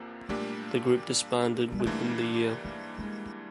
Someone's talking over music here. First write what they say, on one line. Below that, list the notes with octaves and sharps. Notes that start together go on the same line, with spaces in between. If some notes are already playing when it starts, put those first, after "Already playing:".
The group disbanded within the year.
Already playing: E2 C3 F3 A#3
A#2 G3 A3 A#3 D4 G4
G3
G#3
G#2 E3 G3 A3 A#3 D4
A3
A3
G#3